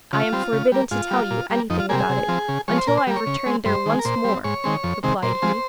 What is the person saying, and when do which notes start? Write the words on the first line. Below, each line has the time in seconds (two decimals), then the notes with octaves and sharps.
'I am forbidden to tell you anything about it, until I have returned there once more,' replied he.
0.13 C#3 F4
0.33 G3 C4
0.52 C#3
0.72 G3 A#3
0.91 G#2 F4
1.11 G3 A#3
1.31 A#2
1.50 G3 A#3
1.70 F2 D#4
1.79 F4
1.89 C3 G3 A#3 G#4
2.00 G#4
2.09 C3
2.28 F3 C4
2.48 C#3
2.68 F3 G#3 C#5
2.78 C5
2.87 A#2 A#4
2.97 C5
3.07 G3 A#3
3.16 C#5
3.27 C#3
3.46 G#3 C4
3.66 G2 C5
3.86 D#3 G#3
3.99 A#4
4.05 A#2 C5
4.24 G3 C4
4.44 G#2 C#5
4.64 D#3 G#3 C4
4.83 F2
5.03 C3 D#3 G#3 C4
5.23 A#2 C5
5.42 F3 G#3 C4